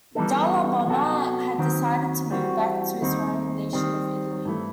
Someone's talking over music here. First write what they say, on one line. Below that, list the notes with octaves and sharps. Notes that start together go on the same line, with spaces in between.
Dalla Bona had decided to move back to his home nation of Italy.
E3 G3 B3 D#4 A4
C3 F#3 B3 F#4 A4
D#2 D#3 F#3 C4
E3 G3 C4 F#4
D#2 D#3 G3 C4 D#4
D#3 G3 C4
G2 E3 A3